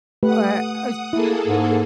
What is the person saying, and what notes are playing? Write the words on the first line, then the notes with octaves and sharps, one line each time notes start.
Or or
A3 G4 B4 F#5 D#6
A#3 E4 G#4 A4
G#2